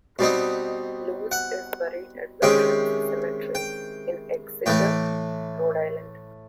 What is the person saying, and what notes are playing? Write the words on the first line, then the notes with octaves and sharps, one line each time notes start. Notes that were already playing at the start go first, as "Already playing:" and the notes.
Luz is buried at the Veterans Cemetery in Exeter, Rhode Island.
B2 G3 C4 D#4
F#5
C3 D#3 G#3 C#4 G5
G5
A2 E3 A3 G5